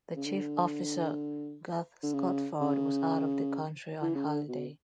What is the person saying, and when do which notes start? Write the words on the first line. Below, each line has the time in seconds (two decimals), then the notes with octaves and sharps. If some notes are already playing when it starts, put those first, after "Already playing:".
The Chief Officer, Garth Scotford, was out of the country, on holiday.
0.16 C#3
0.26 D3
2.03 D3
2.14 C#3
2.61 C#3
4.02 E3
4.15 C#3
4.26 D3
4.48 B2